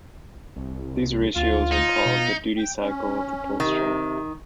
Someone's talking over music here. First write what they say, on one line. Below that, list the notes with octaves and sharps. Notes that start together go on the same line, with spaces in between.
These ratios are called the "duty cycle" of the pulse train.
C2
D2 F4
D#4
B2
G5
C#4
C3 D#3